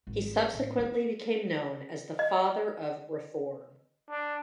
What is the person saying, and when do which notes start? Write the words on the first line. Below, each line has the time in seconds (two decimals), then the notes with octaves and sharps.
He subsequently became known as the Father of Reform.
0.07 G#1
0.53 A1
0.79 C4
2.19 D#5
4.10 D4